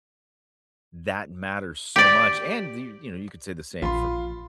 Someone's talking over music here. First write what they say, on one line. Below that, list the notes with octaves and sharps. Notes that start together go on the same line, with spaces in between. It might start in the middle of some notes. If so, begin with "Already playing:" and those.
that matters so much, and you you know, you could say the same for
G4 D5
A#1 F4 B5 C6